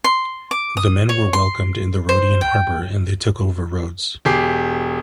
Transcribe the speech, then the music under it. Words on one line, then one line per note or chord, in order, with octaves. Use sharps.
The men were welcomed in the Rhodian harbor and they took over Rhodes.
C6
D6
D#6
C#5
C6
C5
G5
E1 G4 G#4 D6 C7